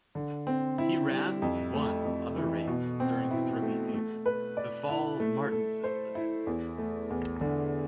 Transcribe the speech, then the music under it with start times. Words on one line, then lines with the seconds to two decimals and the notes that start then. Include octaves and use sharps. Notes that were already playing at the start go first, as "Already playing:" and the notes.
He ran one other race during his rookie season, the fall Martinsville event.
0.15 D3
0.47 C4
0.78 E4
1.10 G3
1.42 F2
1.74 A3
2.05 F2
2.36 E3
2.67 B2
3.00 C4
3.31 E4
3.62 A3
3.94 A3
4.26 B4
4.57 D5
4.89 E4
5.20 A3
5.52 A4
5.84 C5
6.15 E4
6.47 E2
6.78 A3
7.10 E2
7.41 D3